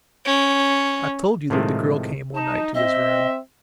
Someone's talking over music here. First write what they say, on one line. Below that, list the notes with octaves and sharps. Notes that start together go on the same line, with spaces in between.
I have told you that the girl came one night to his room.
C#4
A2 C3 D#3 F3 G#3 A3
D#4 A5
C4 D#5 E5